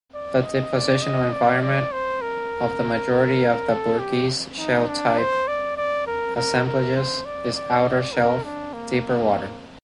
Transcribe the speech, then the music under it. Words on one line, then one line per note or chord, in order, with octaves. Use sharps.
The depositional environment of the majority of Burgess-Shale-type assemblages is outer shelf, deeper water.
D5
D#5
D5
D#5
D5
D5
C5
A#4
A#4
A4
G4
D#4
D4
C5
D5
D5
A#4
A#4
A#4
C5
D5
D5
D5
A#4
D4
A#3